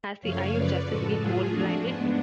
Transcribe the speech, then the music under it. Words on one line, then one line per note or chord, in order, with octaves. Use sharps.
Has the eye of Justice been mole-blinded?
F#2 C#3 F3 A3 C#5 F5
F#2 C#3 F3 B4 D5
A2 F3 G#3 F#4 A4
A2 F#3 A3 F4 G#4
F2 F3 A3 D4 F#4
G#2 F3 G#3 B3 D4